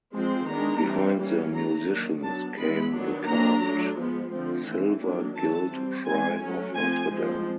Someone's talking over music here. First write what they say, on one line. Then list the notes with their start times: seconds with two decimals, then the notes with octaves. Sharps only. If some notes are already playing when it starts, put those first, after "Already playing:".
Behind the musicians came the carved silver-gilt shrine of Notre Dame.
0.14 F3 G#3 C4
0.49 D#3 G#3 B3 D4 A#5
0.84 E3 G3 C4
1.19 E3 G3 A#3 C#4
1.53 F#3 A3 D4 A#5
1.88 D#3 F#3 A#3 D4
2.23 F#3 B3 D4 A5
2.58 E3 G#3 B3 B5
2.92 D#3 F#3 B3 D4
3.27 F#3 A#3 D4 A#5
3.62 F#3 A3 D4
3.98 F3 G#3 B3
4.33 D3 F3 A3 C4
4.67 E3 A3 C4
5.02 D#3 F#3 A#3 D4
5.36 E3 A3 C#4 A5
5.71 G3 C4
6.06 E3 G#3 C4 G#5
6.41 F#3 A3 C#4
6.75 F3 A3 C4 G#5
7.10 F3 G#3 C4